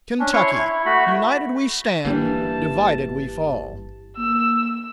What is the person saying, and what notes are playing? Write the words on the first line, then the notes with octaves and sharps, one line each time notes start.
Kentucky--United we stand, divided we fall.
C#4 D4
E4 C#5 C6 C#6
E4
A3 F#4 B5
G1 E3 G3 A#3 D4 A5
A#3 E6